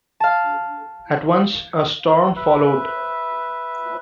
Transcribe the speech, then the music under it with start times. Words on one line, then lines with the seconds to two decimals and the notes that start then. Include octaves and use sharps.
At once, a storm followed.
0.20 F5 A5
2.36 B4 E5